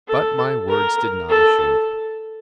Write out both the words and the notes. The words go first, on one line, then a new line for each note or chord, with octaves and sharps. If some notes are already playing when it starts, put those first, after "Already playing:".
But my words did not assure them.
A4
A#4
A4